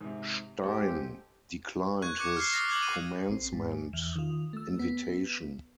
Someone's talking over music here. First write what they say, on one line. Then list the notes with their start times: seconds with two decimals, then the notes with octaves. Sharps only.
Stein declined his commencement invitation.
0.01 G#2 C3
0.63 G#3 C4 G4 A4
2.02 C#6 F#6 G#6
2.19 C#6 D6 F#6 C#7
2.36 F6 C7
2.53 D6 D#6 F6 A6 A#6 C7
2.68 D6 F#6 G#6 F#7
2.82 D#7
3.28 A1 C4
3.53 G#2
3.93 E2
4.16 D#3 F4
4.53 A3 E6
4.79 B3